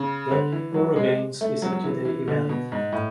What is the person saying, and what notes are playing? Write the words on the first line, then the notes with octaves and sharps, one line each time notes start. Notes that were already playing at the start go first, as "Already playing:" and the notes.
The EuroGames is a two-day event.
Already playing: C#3
D3
E3
F#3
G#3
A3
F#3
F#3
E3
E3
D3
B2
G#2
A2